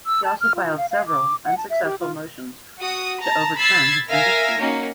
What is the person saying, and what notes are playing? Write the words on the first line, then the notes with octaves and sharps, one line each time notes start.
He also filed several unsuccessful motions to overturn his conviction.
E6
A5
F6
F4
F5
F5
D6
F#5
A5
E5
G4
F4
F#4 D#6
A5 A#5
B5 E6 G#6 A6 C7
A#4 E5 F5 G#5 A#6
A#3 C#4 D#4 F#4